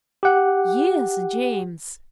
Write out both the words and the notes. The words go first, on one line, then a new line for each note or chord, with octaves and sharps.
Yes, James.
G4 F#5